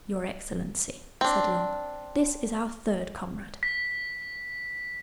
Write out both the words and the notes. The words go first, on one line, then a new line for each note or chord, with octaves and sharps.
'Your excellency,' said Long, 'this is our third comrade.
C4 D4
B6